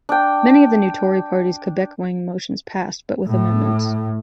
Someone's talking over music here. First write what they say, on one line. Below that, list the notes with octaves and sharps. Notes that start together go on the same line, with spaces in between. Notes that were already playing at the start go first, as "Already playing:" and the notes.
Many of the new Tory party's Quebec-wing motions passed, but with amendments.
D4 G5
A2